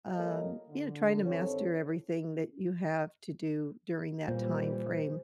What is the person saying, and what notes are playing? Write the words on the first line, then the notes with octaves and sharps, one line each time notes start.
um, you know, trying to master everything that you have to do during that time frame,
G3 A#3 F4 A4 C#5 D#5
D3
G2 D#3 C4 A4 C#5
A#2 E3 G3 C5